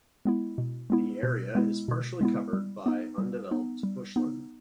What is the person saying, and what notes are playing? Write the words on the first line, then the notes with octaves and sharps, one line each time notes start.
The area is partially covered by undeveloped bushland.
G#3 B3 E4
B2
G#3 B3 E4
B2
G#3 B3 E4
B2
G#3 B3 E4
G3
B3 D#4
G3
B3 D#4
G3
B3 D#4